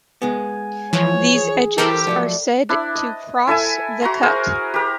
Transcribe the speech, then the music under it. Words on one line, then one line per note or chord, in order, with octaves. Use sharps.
These edges are said to cross the cut.
G#3 B3 G#5
E3 F3 C#5
G#4
E3 G4 A4 A#4 C5 G5
F3 F#3 A3 D5
D4 E4
D#5
E4 A4 E5 G#5
F#4 A#5 C6
G#4 A#4 C5
G4 A#4